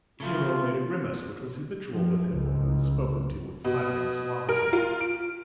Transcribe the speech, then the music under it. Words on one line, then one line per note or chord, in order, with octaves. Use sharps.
Piero made a grimace which was habitual with him when he was spoken to with flattering suavity.
C#3 A3 F4
F3
C#2
B2
A#4
F4
D7